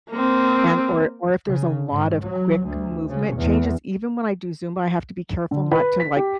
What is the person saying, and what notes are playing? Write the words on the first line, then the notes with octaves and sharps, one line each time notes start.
And or or if there's a lot of quick movement changes, even when I do Zumba, have to be careful not to, like
A#3 C4
C#3
G#2
F#3
D2
C#3
E2
D3
B4
B6
G4